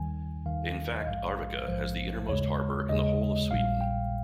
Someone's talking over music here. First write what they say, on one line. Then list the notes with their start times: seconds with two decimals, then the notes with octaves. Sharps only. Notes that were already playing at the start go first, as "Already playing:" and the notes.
In fact, Arvika has the innermost harbour in the whole of Sweden.
Already playing: D#2 D#3 G3 G#5
0.46 D#2 D#3 G3 F5
0.99 D#5
1.07 A#1 G#2 F3 G#3 F5
1.68 A#1 G#2 F3 G#3 C5
2.29 D#2 C#3 G#3 C#5
2.89 D#2 C#3 G#3 D#5
3.51 A#1 A#2 G3 F5
3.81 G5